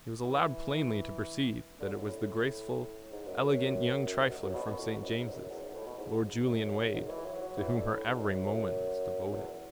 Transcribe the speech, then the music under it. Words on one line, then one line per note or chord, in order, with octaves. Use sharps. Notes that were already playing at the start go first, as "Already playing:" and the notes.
He was allowed plainly to perceive that it was the graceful, elegant young trifler from St. James's, Lord Julian Wade, to whom her every moment was devoted.
E3
D3
F#2
A2
G#2
F#2
F#2
F#2
G#2
F#2
F#2
B2
B2
A2
G#2
F#2
G#2
E2
F#2
E2
G#2
A2
B2
G#2
F#2
G#2
E3
F#3
F#3
E3
D3
A2
G#2
F#2
F#2
E2